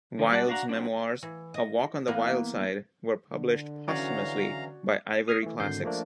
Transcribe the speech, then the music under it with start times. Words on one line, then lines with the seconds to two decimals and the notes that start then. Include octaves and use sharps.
Wild's memoirs "A Walk on the Wild Side" were published posthumously by Ivory Classics.
0.19 D3 F3
0.31 G3 D5 F#5 A5
0.47 D4 F#4 F5 F#5 A#5
0.69 F#3 C4 D4
1.23 E3
1.54 D#5
2.08 E3 A#3 B3
3.30 D3
3.88 C#3 E3 F#3 C#4 F#4 D5 F5 A#5
5.28 D#6 F6 G#6 A#6 C7
5.43 E3 A3
5.60 G#1 D3 G6 C7
5.83 F3 A3 A#3 D4